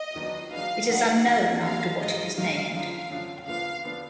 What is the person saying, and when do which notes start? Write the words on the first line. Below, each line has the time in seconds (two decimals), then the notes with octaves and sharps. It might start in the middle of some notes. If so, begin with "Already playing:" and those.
It is unknown after what it was named.
Already playing: D#5
0.16 D#3 F#3 B3 D4
0.52 D#3 F#3 D4 G#4 B4 F5
0.89 D#3 F#3 D4 G#4 B4 F#5
1.26 D#2 D#3 F#3 D4
1.63 D#2 D#3 F#3 D4 F5
2.00 G#2 D#3 F#3 D#5
2.37 G#2 D#3 F#3 F5
2.73 F#2 D3 F3 F5
3.10 F#2 D3 F3
3.47 D3 F3 B3 D4 F4 F5
3.84 D3 F3 B3 D4 F4